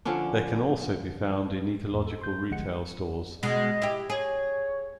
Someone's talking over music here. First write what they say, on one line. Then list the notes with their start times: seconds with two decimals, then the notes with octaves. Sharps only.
They can also be found in ecological retail stores.
0.05 D3 F3 C#4 D4
1.92 E2 G#2
2.07 A4
2.21 C6 G6
2.50 G1 D2 F3 G#3 F#5 C#7
3.43 B2 G#3 D#5
3.82 E4 G4
4.10 G#4 C#5